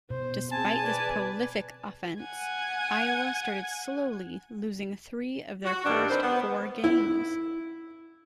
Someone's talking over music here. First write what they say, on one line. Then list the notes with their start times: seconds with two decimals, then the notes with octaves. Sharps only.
Despite this prolific offense, Iowa started slowly, losing three of their first four games.
0.10 B2 C5
0.51 C4 G#4 G#5 A5
0.84 B4 D5
2.20 F#5 G#5 G#6
5.65 F#4
5.85 G2 D#3 G3 D4
6.10 D#3 C4 B4 C5
6.23 B3
6.84 E4